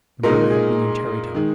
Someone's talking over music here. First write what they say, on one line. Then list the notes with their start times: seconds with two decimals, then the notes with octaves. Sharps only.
The murder had been in Tarrytown.
0.23 A#2 G#3 D#4 A#4
0.51 G#4
1.35 D#3 G#3